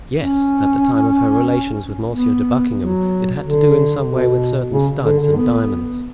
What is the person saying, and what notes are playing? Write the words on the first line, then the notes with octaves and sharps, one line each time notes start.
"Yes, at the time of her relations with Monsieur de Buckingham; it had to do in some way with certain studs and diamonds."
C#4
B3
F#3
D3
B2
C#3
D3
D3
B3